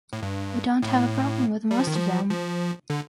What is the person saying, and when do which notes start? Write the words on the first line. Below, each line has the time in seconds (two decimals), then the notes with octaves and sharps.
We don't have a problem with most of them.
0.13 A2
0.22 G2
0.82 A2
1.71 G3
1.79 F3
1.87 D#3
1.95 F3
2.30 F3
2.90 D3